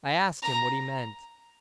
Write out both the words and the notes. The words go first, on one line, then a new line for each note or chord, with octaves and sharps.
I asked him what he meant.
A#5